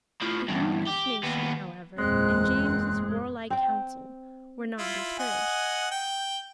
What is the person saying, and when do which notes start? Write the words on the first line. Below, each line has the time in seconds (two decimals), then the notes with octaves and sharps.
The English nation, however, and James's warlike council, were not discouraged.
0.22 A2 F3
0.48 E2 G2
0.88 G4
1.24 D#2 B3
1.98 F#1 E2 A#2 G#3 C4 F#6
3.50 C4 G5
4.79 E4 F4
5.19 D#5 F#5 G#5
5.92 G5